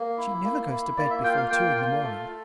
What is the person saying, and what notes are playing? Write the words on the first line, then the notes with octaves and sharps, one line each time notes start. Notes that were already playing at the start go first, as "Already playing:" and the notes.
She never goes to bed before two in the morning.
Already playing: A#3
E4
A#3
E4
A#3 D5
E5
F4 G5
F5
A#3 G5
F4
A3